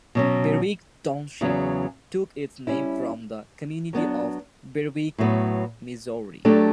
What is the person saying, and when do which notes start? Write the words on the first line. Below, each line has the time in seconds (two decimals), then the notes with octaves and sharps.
Berwick Township took its name from the community of Berwick, Missouri.
0.15 B2 F#3 C#4
1.41 E2 C#3 F#3
2.67 G3 C#4 E4
3.93 F#3 B3 D4
5.18 A2 F#3 B3
6.45 F#3 A3 D4 G4 D5